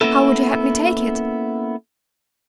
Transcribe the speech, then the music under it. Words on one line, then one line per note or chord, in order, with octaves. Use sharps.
How would you have me take it?
A#3 B3 C#4 E4 A4